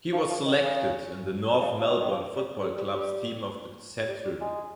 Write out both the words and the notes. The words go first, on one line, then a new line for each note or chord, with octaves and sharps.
He was selected in the North Melbourne Football Club's Team of the Century.
F3
F3
D#3
C#3
C#3
F3
D#3
D#3
F3
G3
G3
G3
G3
G3
G3
G#3